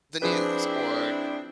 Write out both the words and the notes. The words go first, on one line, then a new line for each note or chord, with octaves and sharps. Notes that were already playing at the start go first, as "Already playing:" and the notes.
the news" or,
F3 C4 D4 E4 G#4 B4